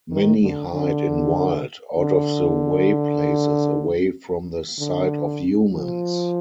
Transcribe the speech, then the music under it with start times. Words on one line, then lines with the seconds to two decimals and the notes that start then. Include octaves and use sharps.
Many hide in wild, out-of-the-way places away from the sight of humans.
0.11 D#3
0.42 D3
0.74 D3
1.99 D3
4.79 D3
5.73 F3